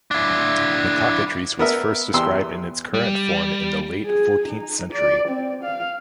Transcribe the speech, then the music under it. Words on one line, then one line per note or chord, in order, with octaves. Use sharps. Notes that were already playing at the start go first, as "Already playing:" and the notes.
The cockatrice was first described in its current form in the late fourteenth century.
D4 E4
B3 A#4 E5
E2 G4 C6 E6
G3
G#4
D#4
D5
C4
F5